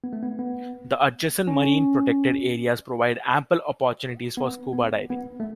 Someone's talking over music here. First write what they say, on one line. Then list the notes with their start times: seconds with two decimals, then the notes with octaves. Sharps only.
The adjacent marine protected areas provide ample opportunities for scuba diving.
0.04 B3
0.13 A3
0.22 B3
0.39 B3
1.47 C#4
4.37 B3
4.73 B3
5.10 B3
5.40 A3